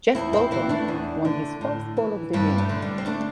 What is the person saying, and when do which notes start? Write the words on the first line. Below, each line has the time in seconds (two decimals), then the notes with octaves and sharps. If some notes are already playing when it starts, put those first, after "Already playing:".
Jeff Burton won his fourth pole of the year.
0.15 E2 C4 E4
0.33 C4 E4
0.51 E3 C4 E4
0.69 A3 D4
0.88 E2
1.25 D3
1.61 A2
1.97 E3
2.33 G2 G3 C4
2.58 A3 D4
2.69 D3
2.82 G3
2.98 C4
3.06 A3 D4